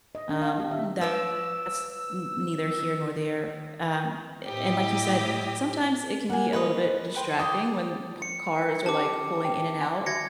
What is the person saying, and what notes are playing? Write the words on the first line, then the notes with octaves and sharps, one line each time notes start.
um, that's n neither here nor there, um, and like you said, sometimes it can be a little bit distracting when p cars are, like, pulling in and out,
D#5
D4
F5
G4
E5
B4 C#5 D5 E6
A2 E4 G4 D#5
A#3 F#5 G#5
B4 C#5 D#5
B4 G5 C6
D5 G5 D#6
C#7
C#4 G4 A5 D6
G5
G#5 A#5
F#4 E5 G#6 A#6 C#7